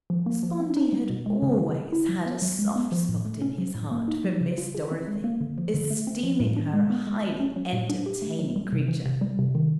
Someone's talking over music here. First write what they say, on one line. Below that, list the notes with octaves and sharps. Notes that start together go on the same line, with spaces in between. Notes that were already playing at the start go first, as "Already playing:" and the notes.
Spondee had always had a soft spot in his heart for Miss Dorothy, esteeming her a highly entertaining creature.
F3
A#3
F3
C4
D#4
G3
B2
G#3
C#3
E3
C#3
E4
F#3
B3
F#3
G#3
B3
F3
A2
A3
C#4
F#3
A2
A#3
D#4
F#3
C#3
F4
G#4
C4
G#3
A#3
D3
F3
D3
A3
C4
F3
A2
D4
G#3
B3
G#3
A3
C#4
F#3
A#2
D4
G4
A3
F#3
G3
C3
E3
C3
G3
C3
D#3